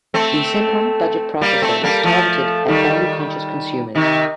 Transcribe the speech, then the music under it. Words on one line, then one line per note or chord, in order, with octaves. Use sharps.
The Sempron budget processor was targeted at value-conscious consumers.
A3 C4
G3 A#3
A3 C4
G3 A#3
F3 A3
D#3 G3
C3 D#3